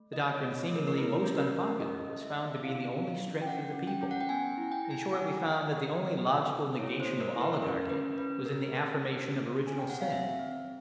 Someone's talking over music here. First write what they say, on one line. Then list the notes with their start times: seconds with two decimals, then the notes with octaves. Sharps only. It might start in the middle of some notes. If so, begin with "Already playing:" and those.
The doctrine seemingly most unpopular was found to be the only strength of the people. In short, we found that the only logical negation of oligarchy was in the affirmation of original sin.
Already playing: A3
0.13 F4 D#5
0.34 C#5
0.42 A3
0.69 A3
0.76 A#4
0.88 A#4
0.97 E4 B4
1.24 C#4
1.38 A#4
1.53 C#4
1.80 C#4 D#5
2.08 A4
2.21 E5
2.36 C#4
2.64 E4 F5
2.91 E4
3.19 C#4
3.42 G5
3.46 C#4 F#5
3.74 C#4
3.87 G5
4.02 C#4
4.11 F#5
4.21 G5
4.29 B3 G#5
4.57 E4
4.72 G5
4.85 E4
4.91 G#5
5.02 G5
5.12 E4 F#5
5.40 G4
5.69 G4
5.96 A#3
6.23 A4
6.52 A4
6.78 E4 C#5
7.00 C5
7.06 A#3
7.21 A#4
7.34 E4
7.41 B4
7.62 C#4 A#4
7.89 C#4 B4
8.17 C#4 B4
8.45 G#4 A#4
8.72 C#4 B4
9.01 C#4
9.28 C4
9.56 C4
9.67 G#5
9.79 G5
9.84 C4
9.90 F#5
10.01 F5
10.11 C4 E5
10.39 C4